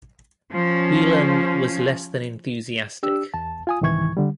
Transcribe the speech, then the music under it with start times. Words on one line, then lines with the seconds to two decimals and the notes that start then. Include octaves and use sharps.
Whelen was less than enthusiastic.
0.52 F3 C#4
3.03 D4 G4 E6
3.34 E2 A5
3.67 F4 G#5 D#6
3.81 C2 G#2 D#3 E3 C#6 G#6
4.17 D3 G3